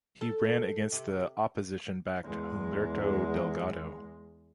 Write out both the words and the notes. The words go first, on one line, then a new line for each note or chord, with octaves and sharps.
He ran against the opposition-backed Humberto Delgado.
A4
D#4
C3
E2 G#3